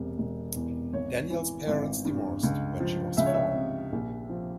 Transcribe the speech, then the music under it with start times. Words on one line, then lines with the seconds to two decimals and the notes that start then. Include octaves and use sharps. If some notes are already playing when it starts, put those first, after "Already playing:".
Daniels' parents divorced when she was four.
Already playing: E1 C3
0.18 E1
0.55 E2
0.93 G#1 C#5
1.30 E3
1.67 G#1
2.05 G2
2.43 C#2
2.80 F3
3.17 C#2 E5
3.26 C#5
3.34 E5
3.55 C3
3.92 A#1
4.30 F3